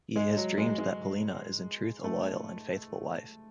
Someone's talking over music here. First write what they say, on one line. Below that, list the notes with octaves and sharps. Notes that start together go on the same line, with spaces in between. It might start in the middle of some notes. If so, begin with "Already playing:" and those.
He has dreamed that Paolina is in truth a loyal and faithful wife.
G#3
F#3
G#3
G#3
A3